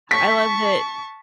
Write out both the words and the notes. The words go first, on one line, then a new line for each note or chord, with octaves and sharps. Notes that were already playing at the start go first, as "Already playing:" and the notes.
I love that e
A5 C#6 B6